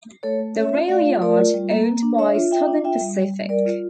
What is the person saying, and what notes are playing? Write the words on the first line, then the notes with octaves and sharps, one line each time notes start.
The railyard, owned by Southern Pacific.
A3 A4 C#5
A3
C#4 C#5 E5
F4
A3 D5 F5
F4
A3 A#4 D5
F4
G3
A#3
A#3
D4
D4 C#5 E5
F4
F4 E5 G5
D4
F4 E5 G5
G3
G3
G3
G3 A#4 D5
F4